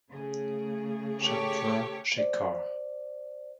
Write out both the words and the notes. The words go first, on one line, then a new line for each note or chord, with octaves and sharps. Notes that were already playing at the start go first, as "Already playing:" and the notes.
Chandra Shekhar.
C#3 A3 G#4
G4 A4 C#5
C5 D5